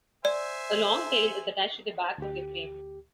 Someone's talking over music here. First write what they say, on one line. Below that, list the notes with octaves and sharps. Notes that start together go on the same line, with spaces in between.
A long tail is attached to the back of the frame.
C5 D5 E5 G#5
D2 G4